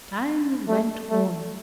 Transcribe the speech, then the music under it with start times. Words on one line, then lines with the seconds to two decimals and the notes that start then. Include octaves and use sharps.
Time went on.
0.68 A3
1.10 A3